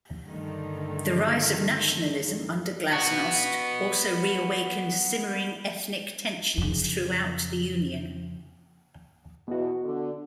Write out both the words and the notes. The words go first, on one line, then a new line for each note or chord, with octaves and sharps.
The rise of nationalism under glasnost also reawakened simmering ethnic tensions throughout the union.
G2 D3 D#3 A3
B3 F#4
F2 C#3
E2 B2 B3 F#4
D3